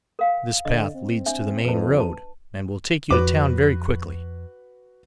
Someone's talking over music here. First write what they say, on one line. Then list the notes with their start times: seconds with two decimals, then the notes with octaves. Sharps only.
This path leads to the main road, and will take you to town very quickly.
0.19 A#4 F5 G5
0.65 D3 D#5
0.95 C4
1.26 D4 E5 G#5
1.65 F2 B4 A5
2.00 A5
3.10 F2 F#4 B4 D6